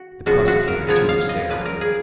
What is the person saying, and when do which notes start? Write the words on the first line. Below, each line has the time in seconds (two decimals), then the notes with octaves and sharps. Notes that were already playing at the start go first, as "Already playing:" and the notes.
The prosecutor, too, stared.
Already playing: F#4
0.26 C#3 F3 B3 F#4
0.48 F#4
0.68 A#4
0.87 C#3 F3 B3 C#5
1.09 F5
1.29 D#5
1.50 A#2 F3 A#3 C#4 B4
1.65 A#4
1.81 G#4